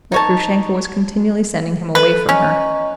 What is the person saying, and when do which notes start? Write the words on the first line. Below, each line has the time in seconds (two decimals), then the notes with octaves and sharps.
But Grushenka was continually sending him away from her.
0.12 D#4 C#5 A5
1.95 A4 B4
2.29 C#4 D#5 A#5 C#6